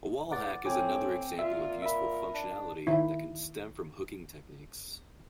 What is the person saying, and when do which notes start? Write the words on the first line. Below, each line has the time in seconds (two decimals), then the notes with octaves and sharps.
A wallhack is another example of useful functionality that can stem from hooking techniques.
0.31 E2 F#5 D6 A6
0.65 A2 C4 G5 G#5 D6
1.39 A#2 F4 A#4 E5
1.82 A#4 E5 B5
2.34 D4
2.87 D#3 E4